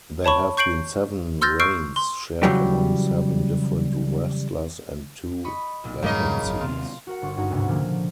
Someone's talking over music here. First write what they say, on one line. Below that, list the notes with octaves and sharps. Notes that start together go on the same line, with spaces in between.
There have been seven reigns shared among seven different wrestlers and two vacancies.
C#5 A5 B5 C#6
C#6 G6 C7 D7 F#7
C6 E6 F6 G6 A6 A#6
C#6 E6 F6 G6 C7 D7
C6
C#3 E3 F#3 G3 G4
D#5 B5 C#6
B1 A#2
F2 G#2 C#3 F#3 G3 A#3 D#5
G#1 F#2
D#2 C3 F5 A5 C6
F#4 A#4 F#5
G1 D4 C6 C#6
G2 C#4 D#4 F#4
D2 G#2 C3 B3
A#2 D3 F3 A#3 C#4 D4